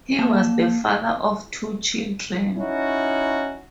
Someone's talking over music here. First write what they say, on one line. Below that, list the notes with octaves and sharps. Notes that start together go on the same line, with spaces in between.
He was the father of two children.
A#3 A5
C#4 D#4 E4 F#4